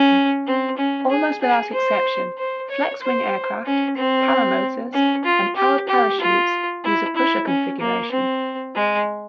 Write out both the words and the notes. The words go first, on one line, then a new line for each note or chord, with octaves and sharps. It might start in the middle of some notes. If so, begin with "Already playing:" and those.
Almost without exception flexwing aircraft, paramotors and powered parachutes use a pusher configuration.
Already playing: C#4
C4
C#4
G#4
G#4
C5
C5
C#5
C5
C#4
C4
C#4
F4
G4
G4
F4
E4
E4
C#4
A#3
C4
G#3